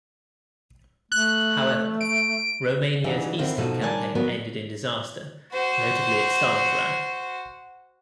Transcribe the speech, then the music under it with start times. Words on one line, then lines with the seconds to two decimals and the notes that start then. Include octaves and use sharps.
However, Romania's eastern campaign ended in disaster, notably at Stalingrad.
1.12 A3 F#6
2.00 D7
3.04 C#3 E3 F#3 D4 D#4 G#4
3.38 D3 C4 E4 G4 A#4
3.58 B2 F3 F#3 D#4 F#4 A4
3.81 D#3 G3 D4 D5 G#5 A5
4.15 F#3 B3 F#4 A#4
5.52 F#4 C5